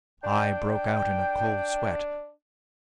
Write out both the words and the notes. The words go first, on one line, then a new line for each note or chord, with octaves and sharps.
I broke out in a cold sweat.
D4 G5